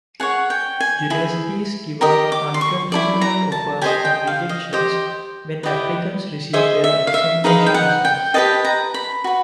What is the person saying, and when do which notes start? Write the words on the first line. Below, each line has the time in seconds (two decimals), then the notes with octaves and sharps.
Universities give out unconditional offers and rejections when applicants receive their examination results.
0.20 G#4 C#5 F#5
0.50 G5
0.81 G#5
1.10 E4 G#4
2.01 G4 A#4 D#5 D#6
2.32 D6
2.54 C6
2.61 C#6
2.92 E4 A4 D5
3.21 A#5
3.52 A5
3.82 G4 C5 D#5 G#5
4.05 G5
4.27 F5
4.49 D#5
4.73 G4 C5 D#5
5.63 E4 G4 B4 D#5
6.53 G#4 C5 D#5 E5
6.84 E5
7.07 F5
7.14 E5
7.44 D#4 G#4 B4 D#5 F5
7.66 G5
7.74 F#5
8.05 G5
8.34 G4 B4 D#5 A5
8.65 A#5
8.94 B5
9.24 F#4 B4